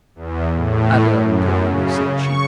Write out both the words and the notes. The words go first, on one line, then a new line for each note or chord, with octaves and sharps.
"I done tol' you," said she.
E2
A2
F#2
C#3
C#6